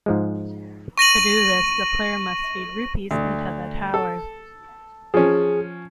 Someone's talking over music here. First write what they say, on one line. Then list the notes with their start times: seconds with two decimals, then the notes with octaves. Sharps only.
To do this, the player must feed Rupees into the tower.
0.06 G#2 F3 G#3
0.98 C#6 A#6 D#7 F#7
3.11 D2
3.94 A4
5.14 F3 C#4 G#4